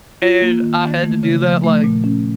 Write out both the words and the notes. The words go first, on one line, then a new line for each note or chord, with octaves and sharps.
and I had to do that, like,
F4
A#3
D#3
D#3
A3
C#3
F3
A3
A#2
C#4